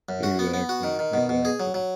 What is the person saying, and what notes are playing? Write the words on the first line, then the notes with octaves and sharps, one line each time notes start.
Exactly, exactly.
F#2
F#4
B3
B3
F#4
D#3
D#3
B2
B2
G#4
F#3
F#3